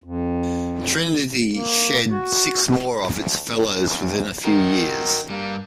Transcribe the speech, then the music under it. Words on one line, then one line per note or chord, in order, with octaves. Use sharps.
Trinity shed six more of its Fellows within a few years.
F2
A#3
F#4
D2
E2
D#3 F#4 A#4
G2 G3 A#3